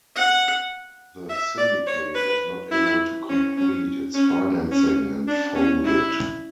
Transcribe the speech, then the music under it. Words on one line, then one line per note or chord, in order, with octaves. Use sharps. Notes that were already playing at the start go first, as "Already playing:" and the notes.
The syndicate was not able to complete its financing and folded.
F#5
E5
D5
C#5
B4
E4
C#4
C#4
C#4
C#4
D4
C#4
E4